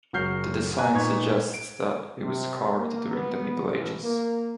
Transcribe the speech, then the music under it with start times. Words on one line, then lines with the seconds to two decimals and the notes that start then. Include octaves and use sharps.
The design suggests that it was carved during the Middle Ages.
0.13 F#1 F#3 F#4 F6 G6 C7
0.78 F5 G#5 A#5 F#6
0.94 A#2 B3 D#4 C#6 G#6
1.53 D7
2.23 C3
2.77 A#3
3.11 B3
3.71 A1
4.02 A#3